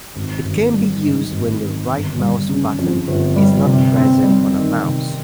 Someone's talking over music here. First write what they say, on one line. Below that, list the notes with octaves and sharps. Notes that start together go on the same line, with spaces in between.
It can be used when the right-mouse button is not present on a mouse.
G#1
G#1
G3
G#2
G#1
G#1
G1
G3
C#3
F2
G1
G3
C3
C4
G3
D#3
C3